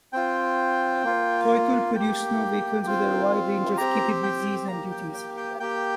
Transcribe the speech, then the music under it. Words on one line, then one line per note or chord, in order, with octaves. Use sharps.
Thiokol produced snow vehicles with a wide range of capabilities and duties.
C4 F4 G5
A#3 F4
A#3 G4 G5
C4 F4
C4 G4 A#5
G5
A#3 G4 A#5
G5
G5
G5
A#3 G4 G5